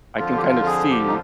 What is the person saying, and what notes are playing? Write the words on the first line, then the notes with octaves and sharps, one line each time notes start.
I can kinda see
F2 D3 F3 F4
G4
F4
G#4
G4
D#4